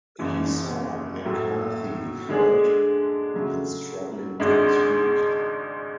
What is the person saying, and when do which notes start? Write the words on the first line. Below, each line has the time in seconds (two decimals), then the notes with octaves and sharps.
He saw Mccarthy felled, and struggling to his feet.
0.19 F#1 F#2 E3
1.24 A2 F#3 A3
2.29 D3 G#3 D4 G#4
3.34 C#3 F#3 A3
4.40 G#1 G#2 G#3 D4